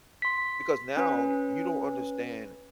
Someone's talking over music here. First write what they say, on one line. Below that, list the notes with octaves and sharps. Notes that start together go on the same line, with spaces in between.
Because now you don't understand
C6 B6
C#4 B4